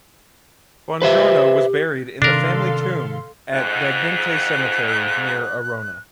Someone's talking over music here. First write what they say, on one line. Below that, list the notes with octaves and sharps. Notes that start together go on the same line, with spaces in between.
Bongiorno was buried in the family tomb, at Dagnente Cemetery, near Arona.
G4 B4 C5 E5
C3 D#3 D4 A4 A#4 F5 C6
F2 G#2 F#6